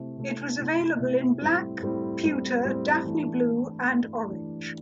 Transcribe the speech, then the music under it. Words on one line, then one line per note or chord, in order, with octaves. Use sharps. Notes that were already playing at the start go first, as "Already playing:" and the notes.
It was available in Black, Pewter, Daphne Blue and Orange.
Already playing: C3 A3 E4
C3 A3 E4
C3 A3 E4
C3 A3 E4
A2 G3 C4
A2 G3 C4
A2 G3 C4
A2 G3 C4
E3 A3 D4
E3 A3 D4
E3 A3 D4
E3 A3 D4